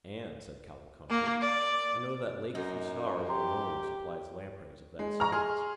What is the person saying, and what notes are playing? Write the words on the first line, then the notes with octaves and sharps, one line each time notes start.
"And," said Cavalcanti, "I know that Lake Fusaro alone supplies lampreys of that size."
A#3
D5
F#2 D#4
G4 A#5 C6
G#3
A#5 C#6 F6
G#4 C6